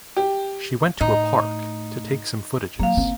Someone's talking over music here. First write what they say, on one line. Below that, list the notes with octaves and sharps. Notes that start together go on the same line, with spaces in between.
She went to a park to take some footages.
G4
A2 D#4
F#3 A#3 C4 F5
F#1 C4